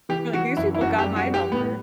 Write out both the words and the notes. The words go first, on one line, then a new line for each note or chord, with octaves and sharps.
You were like, "These people got my number."
E3 G4
E3 F#4
F#2 E4
E4
F#2 F#4
G4
G3
F#4
G3
G4
A2 B3